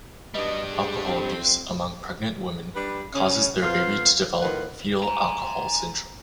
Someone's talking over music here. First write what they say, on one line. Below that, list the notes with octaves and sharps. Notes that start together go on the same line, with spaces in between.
Alcohol abuse among pregnant women causes their baby to develop fetal alcohol syndrome.
B2 G3 D4 B4 D#5
G#4
F2 C4
G3 D4 B4
C#3 C#4
F2 B3 F4 C5 F5
A2 D#3 F4 B4 F#5
G#5 A#5